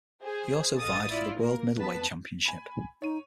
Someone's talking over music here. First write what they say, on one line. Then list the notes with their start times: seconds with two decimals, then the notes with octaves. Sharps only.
He also vied for the world middleweight championship.
0.22 G#4 C5
0.79 A1 A4 D#5 F5 D#6 A6
1.09 E4 F4 D5
1.39 A#3 A#4
1.77 F2 B3 B4 A5 B6
2.45 G#5 B5
3.02 D#4 C#5 D#7